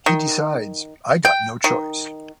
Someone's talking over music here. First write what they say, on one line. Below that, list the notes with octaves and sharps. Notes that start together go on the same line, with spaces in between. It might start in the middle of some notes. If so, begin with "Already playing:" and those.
He decides: I got no choice.
D#3
G5
D#3